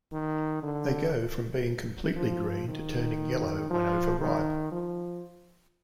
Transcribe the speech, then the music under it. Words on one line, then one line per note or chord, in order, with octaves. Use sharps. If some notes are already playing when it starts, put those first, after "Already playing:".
They go from being completely green to turning yellow when overripe.
D#3
D3
F3
D#3
F3
D#3
F3